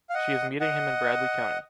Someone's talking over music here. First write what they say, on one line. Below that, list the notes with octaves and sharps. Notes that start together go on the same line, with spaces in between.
She is meeting him in Bradley County.
F5
D#5 F#5
D#5 F#5